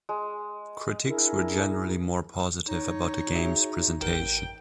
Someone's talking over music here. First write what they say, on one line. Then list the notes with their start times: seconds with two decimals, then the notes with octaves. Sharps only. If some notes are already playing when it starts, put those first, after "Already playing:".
Critics were generally more positive about the game's presentation.
0.09 G#3
1.06 D4 E4 G#4 A#4
2.68 D#4 C#5
3.36 F#4 G#4 E5
4.01 A1 A#4 G5